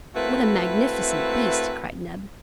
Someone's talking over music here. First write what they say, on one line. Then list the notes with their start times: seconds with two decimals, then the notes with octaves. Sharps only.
"What a magnificent beast!" cried Neb.
0.15 A3 A#3 C4 E4 F#4 B4